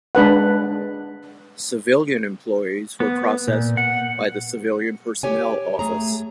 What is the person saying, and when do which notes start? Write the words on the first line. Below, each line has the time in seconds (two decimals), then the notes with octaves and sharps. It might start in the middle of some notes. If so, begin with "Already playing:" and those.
Civilian employees were processed by the Civilian Personnel Office.
0.15 G#3 D4 B4 F#5
3.00 B3
3.48 A#2
3.77 F#5
5.23 G4 C#5 G#5
5.79 A3 G#4 A#5